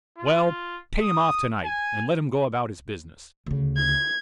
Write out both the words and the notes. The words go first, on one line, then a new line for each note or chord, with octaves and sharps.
"Well, pay him off to-night, and let him go about his business."
F4
D#6
G#5
D2 C#3
G#6